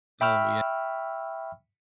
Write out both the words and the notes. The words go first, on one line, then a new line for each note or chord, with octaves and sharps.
Oh, ye
E5 G5 B5 C#6 E6 F6